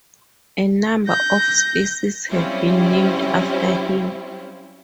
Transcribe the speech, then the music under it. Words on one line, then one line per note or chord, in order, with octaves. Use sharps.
A number of species have been named after him.
G6 A#6
F#3 G3 C4 C#4 E4 F4